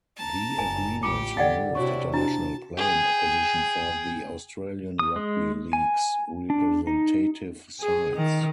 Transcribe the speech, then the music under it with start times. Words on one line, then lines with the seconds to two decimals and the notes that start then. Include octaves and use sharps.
The agreements removed international playing opposition for the Australian Rugby League's representative sides.
0.17 A5 A#5
0.58 F#1 G#5
1.03 A1 F4 G4 D6 C#7
1.37 D3 D5 F#5 G5 A6
1.75 C3 D4 E4 F#4 C#5 C#6
2.14 D4 E4 F#4 A5
2.77 G#4 G5
4.99 D#6
5.16 G#3
5.73 G#5
6.50 D4
6.87 D#4
7.81 G#4
8.16 D#3